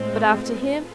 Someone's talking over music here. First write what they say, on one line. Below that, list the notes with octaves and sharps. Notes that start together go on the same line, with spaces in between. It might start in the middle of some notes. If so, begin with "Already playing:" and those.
But after him?'
Already playing: A2 G#3 C4 F4 A4
G#4 B4